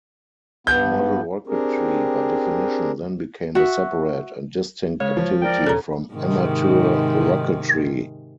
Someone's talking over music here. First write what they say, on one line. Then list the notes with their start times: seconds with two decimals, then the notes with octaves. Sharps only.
Model rocketry by definition then became a separate and distinct activity from amateur rocketry.
0.67 G2 B3 G6
1.47 C4 D4 G4 G#4 A#4
3.55 F#4 E5
5.00 C#3 G#3 C#5
5.17 F3
5.42 A#4 D5 G5
5.66 E1 C#4 A4 A#5
6.14 G#2 C3 D#3